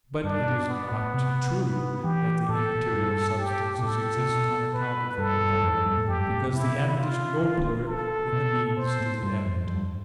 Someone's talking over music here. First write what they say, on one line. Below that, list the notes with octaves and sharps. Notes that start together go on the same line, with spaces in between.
But it is not true that the immaterial substances exist on account of the corporeal, because the end is nobler than the means to the end.
G2 D4
B2
B3
A2
C3
B3
E3 G4
A2 A4
G2
G4
B2
A2 A4
C3
B2
B4
G2 A4
G2
F2
F2
G2
A2
F2 G4
G2
A2
B2
C3 E4
B2
C3
F4
D3
A4
B2
B2 C5
A2
G2
F2
F2
G2